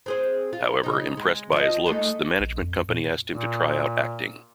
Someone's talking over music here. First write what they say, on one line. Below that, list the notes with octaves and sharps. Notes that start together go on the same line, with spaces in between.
However, impressed by his looks, the management company asked him to try out acting.
C4 G#4 C5
F4
C#3 D#4
G#3
F3 D#5
G#3 A3 D#4
A#1
F2
A#2
A#2